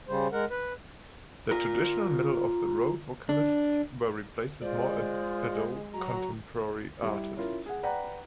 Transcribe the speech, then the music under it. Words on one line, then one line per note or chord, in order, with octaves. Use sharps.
The traditional middle-of-the-road vocalists were replaced with more adult contemporary artists.
C#3 G3 C5
G#3 A#4 F#5
B4
F4 A#4
D4
G#3 F4 C5 D5
F#3 F#4 A#5
G3 E4 G4
C#4 E4 F4 A#4
G#4 F#5
B4 D5 F#5 G5 A#5